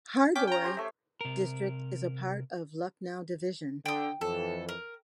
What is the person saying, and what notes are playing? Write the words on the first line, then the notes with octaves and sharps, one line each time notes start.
Hardoi district is a part of Lucknow division.
C#4 G5 D6 B6
G5 A#5
G4 C5 C#5
A3 E5
C3 A#4
D3 G5 D#6
F2 E3 A4
A#4